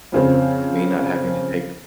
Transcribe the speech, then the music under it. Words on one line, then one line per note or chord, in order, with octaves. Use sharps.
Me not having to take
F2 C#3 C4